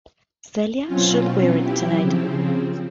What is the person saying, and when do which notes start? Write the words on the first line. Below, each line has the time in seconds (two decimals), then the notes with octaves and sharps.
Celia should wear it tonight.
0.86 B2 F#3 C4 C#4 F4
1.57 F#3 E4 G4
2.01 C#3 F3 C4